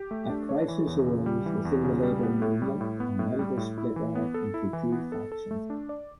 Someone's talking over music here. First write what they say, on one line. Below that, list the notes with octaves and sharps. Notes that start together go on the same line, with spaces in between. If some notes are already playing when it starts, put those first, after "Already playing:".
A crisis arose within the labour movement and members split off into two factions.
Already playing: G4
A3
D4
C#5
E3
E2
C#3
G3
E3
E2
C#3
G3
B3
A2
G3
A2
B3
A2
G3
A2
E4
E3
B3
A4
E4
E3
B3
A4
A4
A3
D4
D5